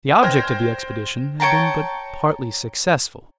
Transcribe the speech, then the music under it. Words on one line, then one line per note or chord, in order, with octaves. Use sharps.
The object of the expedition had been but partly successful.
C5 G5 F6 G#6 A#6
C#5 G5 A5 A#5